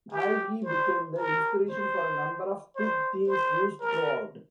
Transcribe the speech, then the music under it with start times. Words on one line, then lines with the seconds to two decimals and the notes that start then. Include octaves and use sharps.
"Algie" became the inspiration for a number of pig themes used throughout.
0.12 G4
0.64 C5
1.17 A#4
1.69 C5
2.75 C5
3.27 C5
3.80 A#4